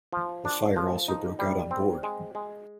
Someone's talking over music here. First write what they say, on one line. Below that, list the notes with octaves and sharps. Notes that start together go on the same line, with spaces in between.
A fire also broke out on board.
F3
D4
F3
D#4
G3
C4
G#3
G#3